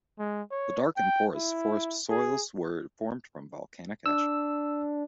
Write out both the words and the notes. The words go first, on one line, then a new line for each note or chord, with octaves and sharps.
The dark and porous forest soils were formed from volcanic ash.
G#3
C#5
G5
E4
G#4
D4 E6